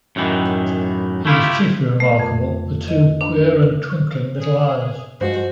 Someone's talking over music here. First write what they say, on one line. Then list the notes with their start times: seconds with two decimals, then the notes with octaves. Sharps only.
He was chiefly remarkable for two queer and twinkling little eyes.
0.16 F#2 A2 D#3 E3
1.26 A3 E4 F4 G4
2.00 A3
2.19 F2
2.88 D#5
3.21 D4
4.36 G#4
5.21 G2 F3 G#3 F#4 C5